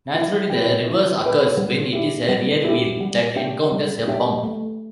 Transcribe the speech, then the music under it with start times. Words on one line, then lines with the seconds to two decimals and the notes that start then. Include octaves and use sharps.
Naturally the reverse occurs when it is a rear wheel that encounters a bump.
0.14 E4
0.50 B4 G5
0.86 E4
1.21 B4 G5
1.57 G3
1.93 E4 G4
2.29 G3
2.64 E4 G4
3.01 G3
3.36 D4 G4 E5 G5
3.72 G3
4.08 D4 G4 E5 G5
4.43 A3